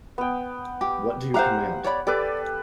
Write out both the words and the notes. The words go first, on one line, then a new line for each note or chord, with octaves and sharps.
What do you command?
B3 G5
G4
G4 C5 F5 F#5 A#5
C#5 D5 B5
G4 A4 B4 D5